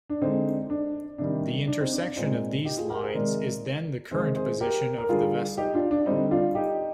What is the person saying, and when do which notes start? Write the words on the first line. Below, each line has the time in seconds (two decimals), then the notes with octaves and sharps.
The intersection of these lines is then the current position of the vessel.
0.10 D4
0.22 D3 G#3 C4 D#4
0.70 D4
1.18 C3 D#3 G3 D4
1.67 D4
1.79 C4 D#4
1.92 D4
2.05 D4
2.16 A#2 G#3 C4 D#4
2.65 D#4 G4
2.77 F4 G#4
2.89 G4 A#4
3.01 G#4 C5
3.14 C3 D#3 G#3 A#4 D5
4.11 C3 D#3 G#3 G#4 C5
4.35 G#4 C5
4.61 G4 A#4
4.98 A#4
5.09 D3 G3 F4 G#4
5.57 D#4 G4
5.74 D4 F4
5.91 D4
6.06 D3 G3 C4 D#4
6.31 D4 F4
6.55 D#4 G4